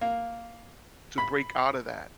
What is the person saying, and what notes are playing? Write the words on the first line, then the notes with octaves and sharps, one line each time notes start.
to break outta that,
A#3
B5